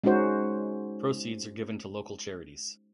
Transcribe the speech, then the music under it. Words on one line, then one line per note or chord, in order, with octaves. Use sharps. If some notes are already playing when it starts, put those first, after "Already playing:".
Proceeds are given to local charities.
G#3 C#4 D#4 F#4 C5